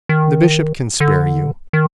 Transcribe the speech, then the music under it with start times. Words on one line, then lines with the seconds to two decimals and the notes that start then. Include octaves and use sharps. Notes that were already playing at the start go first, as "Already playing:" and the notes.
The bishop can spare you.
0.09 D#3
1.00 D3
1.73 D#3